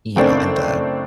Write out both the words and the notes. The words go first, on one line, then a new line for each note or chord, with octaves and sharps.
you know, in the
F#1 A3 C4 D4